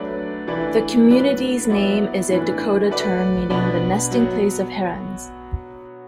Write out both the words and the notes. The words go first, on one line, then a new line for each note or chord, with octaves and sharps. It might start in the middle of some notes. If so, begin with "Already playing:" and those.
The community's name is a Dakota term meaning the nesting place of herons.
Already playing: F#3 A3 D4 B4 D5
E3 A3 D4 B4 D5
A2 F#3 D4 B4 D5
F#3 B3 E4 B4 D5
A2 E3 D4 B4
A3 F#4 B4 D5
B2 B3 D4 B4 D5
F#3 B3 F#4